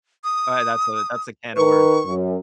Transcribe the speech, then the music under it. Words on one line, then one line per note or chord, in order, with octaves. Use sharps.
alright, that's a that's a can of worms.
D#6
D#3 A#4 B4 C#6
F#2